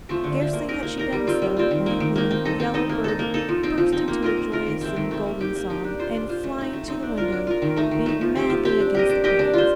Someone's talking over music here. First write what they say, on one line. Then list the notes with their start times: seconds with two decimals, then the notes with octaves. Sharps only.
Scarcely had she done so, when the yellow bird burst into a joyous and golden song, and flying to the window, beat madly against the panes.
0.09 F3 A3 C4
0.24 D3
0.38 F3 A3 C4
0.53 A#3
0.68 D#4 A#4 D#5
0.83 A#3
0.97 D#4 A#4 D#5
1.12 G3
1.27 C4 F4
1.42 G3
1.57 C4 F4
1.71 D#3
1.86 A#3 D#4
2.00 D#3
2.16 A#3 D#4
2.31 C4
2.45 D#4 A4 D#5
2.60 C4
2.74 D#4 A4 D#5
2.89 A#3
3.04 D#4 A4
3.19 A#3
3.34 D#4 A4
3.49 F3
3.63 C4 D#4
3.78 F3
3.93 C4 D#4
4.08 A#3
4.22 F4 A#4 D#5
4.37 A#3
4.52 F4 A#4 D#5
4.67 D#3
4.81 A3 C4
4.96 D#3
5.11 A3 C4
5.26 A#3
5.41 D#4 G4
5.56 A#3
5.70 D#4 G4
5.84 D4
5.99 F4 C5
6.14 D4
6.29 F4 C5
6.44 A3
6.58 C4 D#4
6.73 A3
6.88 C4 D#4
7.03 D4
7.18 F4 A#4
7.32 D4
7.47 F4 A#4
7.62 D#3
7.76 A3 D#4
7.91 D#3
8.06 A3 D#4
8.21 F3
8.35 C4 G4
8.50 F3
8.65 C4 G4
8.80 D4
8.95 G4 A#4 D#5
9.09 D4
9.24 G4 A#4 D#5
9.39 D4
9.53 F4 C5